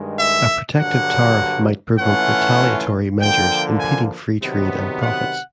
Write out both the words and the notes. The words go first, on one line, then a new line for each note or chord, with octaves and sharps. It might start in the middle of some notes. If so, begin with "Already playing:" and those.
A protective tariff might provoke retaliatory measures, impeding free trade and profits.
Already playing: G2 D#3 G#3
E5
G2 D3 F#3 A#3 F#5
E3 A3 C#4 F4 F#5
D3 F3 A#3 G5
G#5
C3 D#3 F#3 B3
F#5